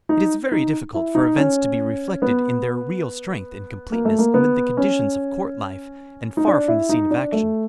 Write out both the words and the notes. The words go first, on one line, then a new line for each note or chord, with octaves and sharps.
It is very difficult for events to be reflected in their real strength and completeness amid the conditions of court life and far from the scene of action.
D#4
D#4
E4
D#4
C#4
B3
A#3
A3
A#3
B3
C#4
D#4
D4
E4
D#4
D4
A3